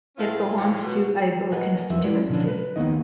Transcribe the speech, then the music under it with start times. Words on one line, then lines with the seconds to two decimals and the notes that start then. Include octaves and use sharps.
It belongs to Aiwo Constituency.
0.17 A2 A3 B3 C#4 E4 F4
0.57 A2 D#3 F3 A#3 F4 C#5
0.82 B2
1.52 A#4 B4 D#5 F#5 G#5
1.90 E2 F3 B4 E5
2.04 G#3 E4 B4 D5
2.29 B2 D3 F3 C#4 D4
2.47 A#4 B4
2.76 D#3 A#3 B3 D#4 D#5